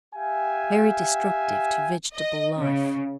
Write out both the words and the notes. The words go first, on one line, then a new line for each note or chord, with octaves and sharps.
Very destructive to vegetable life.
G4 E5 F5 G5 G#5
D#5
C#3